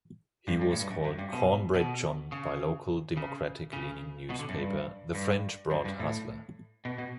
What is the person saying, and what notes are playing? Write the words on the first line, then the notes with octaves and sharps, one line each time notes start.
He was called "Cornbread John" by local Democratic-leaning newspaper, "The French Broad Hustler".
G2
G2
A2
G2
F#2
F#2
G2
B2
B2
C#3
C#3
C#3
B2
D3
F#2
G2
G2
F#2
G2
A2
B2
B2